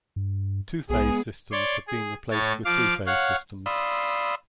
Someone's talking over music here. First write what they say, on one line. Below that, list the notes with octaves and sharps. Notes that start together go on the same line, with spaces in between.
Two-phase systems have been replaced with three-phase systems.
G2
B1 G#3 B3 G#4
C#5 D5 C6
G#4
A2 C#5 A6
F3 F5 D6
C#5 F5 F#5
D5 F5 B5 C6 D#6 E6